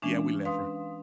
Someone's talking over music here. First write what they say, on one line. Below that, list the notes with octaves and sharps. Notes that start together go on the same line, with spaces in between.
Yeah, we left her.
E3 G#3 C#4 D4
B4 F5 C6 D#6